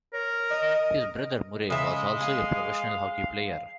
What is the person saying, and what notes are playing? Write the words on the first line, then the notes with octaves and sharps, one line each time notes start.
His brother Murray was also a professional hockey player.
A#4 C#5
D#5
C#3 G#3 E5
G#4 F5